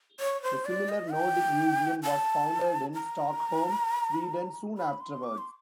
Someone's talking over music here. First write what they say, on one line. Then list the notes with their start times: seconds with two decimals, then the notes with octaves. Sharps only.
The similar Nordic Museum, was founded in Stockholm, Sweden soon afterwards.
0.20 C#5
0.43 C5
0.65 D5
0.89 D#5
1.12 G5
2.03 A5
2.94 A#5
4.78 B5
5.00 C6
5.23 D6
5.38 C6